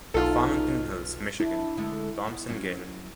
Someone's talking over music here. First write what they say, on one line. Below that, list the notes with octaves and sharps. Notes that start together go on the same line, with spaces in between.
Farmington Hills, Mich.: Thomson Gale.
B1 D#4 F4 A4
D4 E4
D3 G#3 A3
B3
F#3 C#4